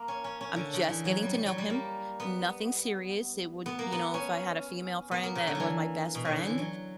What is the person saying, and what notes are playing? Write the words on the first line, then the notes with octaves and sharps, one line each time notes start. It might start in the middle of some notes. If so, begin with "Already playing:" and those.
I'm just getting to know him, nothing serious, it would you know, if I had a female friend that was my best friend,
Already playing: A#3
C#4
C#4
C#4
D3
C#3
E3
F#3
G3
G3
F#3
G3
A#3
B3
B3
A#3
B3
C#4
B3
A#3
C#3
D3
E3 F#3
B2
C#3
D3
E3
F#3